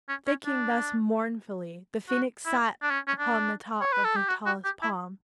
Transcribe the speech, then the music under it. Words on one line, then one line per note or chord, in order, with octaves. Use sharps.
Thinking thus mournfully, the Phoenix sat upon the top of the tallest palm.
C#4
C#4
D4
F#4
E4
D4
C#4
C#4
D4
C#5
B4
A4
G4
F#4
F#4
G4
E4